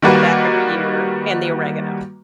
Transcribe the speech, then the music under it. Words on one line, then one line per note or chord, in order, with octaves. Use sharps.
come back every year, and the oregano,
D#3 G3 A#3 F#4 B4